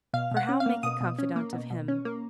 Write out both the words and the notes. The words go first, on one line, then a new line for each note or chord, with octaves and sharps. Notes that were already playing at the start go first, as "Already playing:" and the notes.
For how make a confidant of him?
B2 F5
B2
F#5
C#4
F5
A#3
B2 D#6
B2
C#4
A#3
B2
B2
C#4
A#3